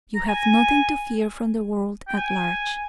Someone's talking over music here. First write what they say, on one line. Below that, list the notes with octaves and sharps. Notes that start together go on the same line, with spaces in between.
"You have nothing to fear from the world at large."
A#5
G#5
G5
G#5